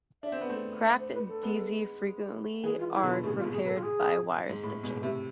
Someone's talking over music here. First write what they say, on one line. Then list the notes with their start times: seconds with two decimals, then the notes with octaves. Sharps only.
Cracked "deze" frequently are repaired by wire stitching.
0.23 D4 E5
0.32 C4
0.41 B3
0.49 A3 C4
0.84 E5
0.99 C5
1.13 B4
1.28 A4
1.43 G#3 B3
2.63 E3 G#3 G#4
2.79 F4
2.93 E4
3.03 B2 D3
3.09 F4
3.23 A2 C3 G#4
3.38 F4
3.43 G#2 B2
3.53 G#4
3.65 B4
3.69 A4
3.77 F4
3.83 G#4
4.50 G#2
4.63 A2
4.83 G#2 B2
5.03 A2 C3 E5